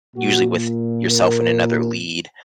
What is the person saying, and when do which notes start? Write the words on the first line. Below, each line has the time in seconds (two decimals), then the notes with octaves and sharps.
usually with yourself and another lead.
0.16 A#2 F#4
1.09 A#4